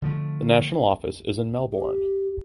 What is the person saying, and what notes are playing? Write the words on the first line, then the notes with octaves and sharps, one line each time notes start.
The national office is in Melbourne.
D3 F3 A3
G4